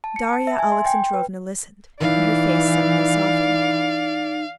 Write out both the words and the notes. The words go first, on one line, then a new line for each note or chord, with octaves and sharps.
Darya Alexandrovna listened, and her face suddenly softened.
A5
C#7
A5
E5
G#5
C6
G5
B4
E3 D#4 D5 F5